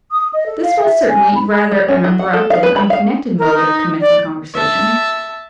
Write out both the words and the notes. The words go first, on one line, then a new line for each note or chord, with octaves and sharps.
This was certainly rather an abrupt and unconnected mode of commencing conversation.
D#6
D#5
A4
F5
E5
G#5
B5
G3
C#4
F#3
F#5
A4
F5
B4
B5
F5
A#4
D#4
D5
E5 A5